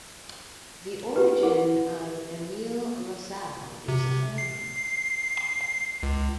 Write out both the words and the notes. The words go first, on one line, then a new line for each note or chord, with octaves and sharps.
The origin of Emil LaSalle is unknown.
G4 B4
E4 A#4 F#5
C3
C7
C#2